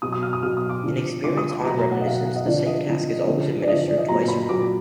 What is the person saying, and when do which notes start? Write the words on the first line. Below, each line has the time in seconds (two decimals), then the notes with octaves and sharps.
In experiments on reminiscence the same task is always administered twice or more.
0.02 B2 F#3 D#6
0.13 D#6
0.23 F6
0.33 D#6
0.43 B2 F#3 F6
0.57 D#6
0.69 D6
0.83 D3 F3
1.24 D3 F3 D6
1.37 D#6
1.51 D6
1.65 B2 F#3 A#5
1.78 A#5
1.92 F#5
1.99 D#5
2.06 B2 F#3 F5
2.15 F#5
2.25 F#5
2.36 D#5
2.45 D3 F3 D5
2.66 D#5
2.86 D3 F3
3.27 D3 F3
3.62 D5
3.67 D3 F3 D#5
3.88 D5
3.98 D#5
4.08 A#2 F#3 A#5
4.28 B5
4.49 A#2 F#3 D6